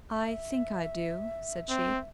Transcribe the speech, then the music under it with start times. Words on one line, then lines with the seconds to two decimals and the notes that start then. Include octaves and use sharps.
"I think I do," said she.
0.12 E5
1.69 C4